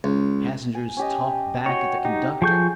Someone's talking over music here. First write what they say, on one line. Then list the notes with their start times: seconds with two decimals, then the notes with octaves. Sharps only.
Passengers talk back at the conductor.
0.04 C#2
0.75 G#5
0.97 C#4 G4 D#5
1.66 F#4 C#5 D#5 G5
2.05 D#4 G4
2.42 F3 G#4 A4 C#6 G6